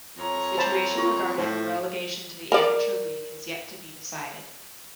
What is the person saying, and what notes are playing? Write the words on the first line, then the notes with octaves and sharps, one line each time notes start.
The situation regarding relegation to the Amateur League has yet to be decided.
F2 C#5 A#5
C5 A5 B5
F4 C#6
A2 C5
A#4 D5